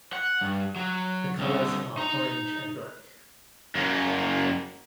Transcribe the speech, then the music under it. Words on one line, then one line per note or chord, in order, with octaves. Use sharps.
The colors are orange and black.
F#5
G2
F#3
C2 D3
D#4 A#5
F#2 A#3